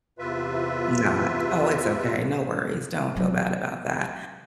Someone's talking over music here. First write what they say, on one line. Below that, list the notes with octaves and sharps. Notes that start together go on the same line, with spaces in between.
Not Oh, it's okay, no worries, don't feel bad about that.
E2 C3 F4 B4 E5
F#3 B3